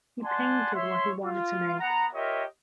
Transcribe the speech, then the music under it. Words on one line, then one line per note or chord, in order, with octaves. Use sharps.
He painted what he wanted to make.
D5 F#5 G#5 A5 C6
C#5 E5 C6
F4
B3 F#5 A#5
F4 G4 A#4 C#5 D#5 E5